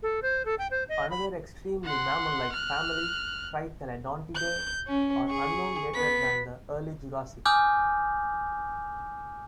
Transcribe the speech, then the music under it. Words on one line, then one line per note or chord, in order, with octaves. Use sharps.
Another extremely mammal-like family, Tritheledontidae, are unknown later than the Early Jurassic.
A4
C5
A4
G5
C5
D#5
B5
F#5 C6
F6 F#6
G6
C#4
G#4 C#6
B3 B6
G#5 D6 D#6 F6 G6